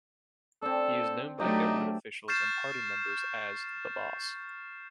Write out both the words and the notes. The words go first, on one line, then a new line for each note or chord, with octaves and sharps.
He is known by government officials and party members as "the Boss".
C4 D4 A4
F#3 A3 D4 D#4 G4 E5
C#6 F6 G6 A6 C7 E7